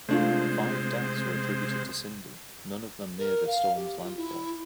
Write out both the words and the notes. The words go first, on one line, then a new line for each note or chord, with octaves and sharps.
Five deaths were attributed to Cindy, none of them near the storm's landfall.
C3 G#3 A3 D4 F4 C5
A#4
F5
G4
F4
E4